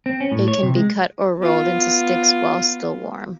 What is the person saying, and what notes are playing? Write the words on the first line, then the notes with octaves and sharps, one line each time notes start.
It can be cut or rolled into sticks while still warm.
C4
C#4
A2
C#5
C3
G#3
B3 F4